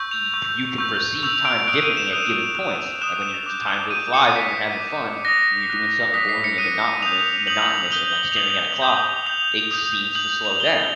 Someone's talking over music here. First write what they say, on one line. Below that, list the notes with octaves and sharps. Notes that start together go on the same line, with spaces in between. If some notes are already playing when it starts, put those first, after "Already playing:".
y you can perceive time differently at given points. Like when you're time go flies when you're having fun, when you're doing something boring and monotonous monotonous and, like, staring at a clock, it seems to slow down.
Already playing: C#6 E6 G6
F7
C#6 E6 G6
C#6 E6 G6
C#6 E6 G6 F7
D7
D#6 F#6 D7
D#7
E7
D#6 F#6
D#6 F#6
D#6 F#6 E7
D6 G6
D6 G6 D#7
C#7
D6 G6 B6
D6 G6
D#6 F#6 A#6
D#6 F#6
D#6 F#6 B6
C7
C#7
D#6 F#6 D#7
D#6 G6 F7
D#6 G6 F#7
F#7
F#7
D#6 G6 G7
F7
D#6 G6 F#7
D#6 G6
D#6 G6 F7
D#6 G6
D#6 G6 F#7
F7
D#6 G6 G7